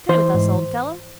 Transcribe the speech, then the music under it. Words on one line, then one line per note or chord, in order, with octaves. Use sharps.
"Stay with us, old fellow."
E3 C5
G#2